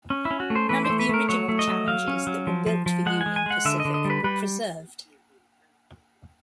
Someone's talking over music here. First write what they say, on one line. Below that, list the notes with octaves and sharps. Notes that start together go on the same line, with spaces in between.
None of the original Challengers that were built for Union Pacific were preserved.
C#4
E4
C#4
F#4
A3
C5
E3 B4
C5
A3
B4
A3 A#4
F#3 C#5
A3
D#5
F#3
F#3 F5
C#4
F#3
F3
F3
F3
G#3 F#5
G#5
G#3
G#5
G#3 F#5
D3 E5
D#5
D3
D#5
G3
B4
G3 B4